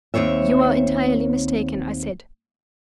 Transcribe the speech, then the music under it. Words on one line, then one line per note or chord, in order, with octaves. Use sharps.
"You are entirely mistaken," I said.
D#2 A#2 C4 C#5 E5